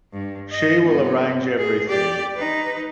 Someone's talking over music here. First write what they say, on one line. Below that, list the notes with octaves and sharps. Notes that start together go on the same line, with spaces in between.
She will arrange everything.
G2
D#5
G2 B3
G#4
G4 D5
D#4 B4